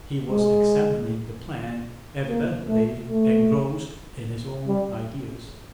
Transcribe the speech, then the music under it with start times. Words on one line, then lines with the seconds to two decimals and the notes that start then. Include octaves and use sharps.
He was examining the plan, evidently engrossed in his own ideas.
0.30 G#3
2.28 A#3
2.68 A3
3.08 A3
4.67 G3